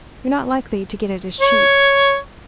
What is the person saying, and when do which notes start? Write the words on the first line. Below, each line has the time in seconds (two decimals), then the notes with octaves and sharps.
You're not likely to get it as cheap.'
1.41 C#5